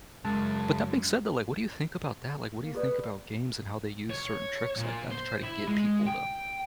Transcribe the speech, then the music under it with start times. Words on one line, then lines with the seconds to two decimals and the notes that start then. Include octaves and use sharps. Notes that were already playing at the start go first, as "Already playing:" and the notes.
but that being said though, like, what do you think about that? Like, what do you think about games and how they use certain tricks like that to try to get people to
0.25 F#2 C#3 G#3 A5
2.60 A#3
2.75 G4 A4 B4 D5
4.10 C#5
4.77 A#2
5.11 C5
5.43 E4
5.68 G#3
6.07 G5